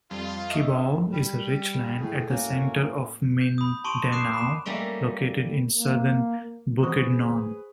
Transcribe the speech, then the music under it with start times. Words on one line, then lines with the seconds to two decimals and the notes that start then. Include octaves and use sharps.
Kibawe is a rich land at the center of Mindanao, located in southern Bukidnon.
0.11 F2 G3 F4
0.50 D#5 E5 C#6
1.13 G3
1.99 A2 G#4
2.30 A2 A#3 C#4 F#4
3.41 G6
3.58 B5 D#6
3.84 A5 C6 C#6 D7 D#7 F7
4.12 D6 D#6 F#6 C7 E7
4.33 B5 E7
4.66 G3 A3 A#3 C#4
5.76 A#3
6.83 E3 G#3 F#4 G#4 B4 C5 C#6 D#6